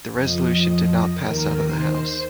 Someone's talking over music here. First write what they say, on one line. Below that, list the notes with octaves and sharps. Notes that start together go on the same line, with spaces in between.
The resolution did not pass out of the House.
F2 F3 D#5
D#2 D#3 A#4
C5